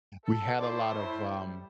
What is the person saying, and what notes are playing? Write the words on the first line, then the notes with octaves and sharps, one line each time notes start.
we had a lot of, um,
A4
A2 C5 D5
E4
G3